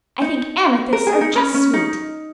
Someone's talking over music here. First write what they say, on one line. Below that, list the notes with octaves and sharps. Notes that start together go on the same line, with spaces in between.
I think amethysts are just sweet.
D#4
A#4
G#4
D#4
C#4
C#4
D#4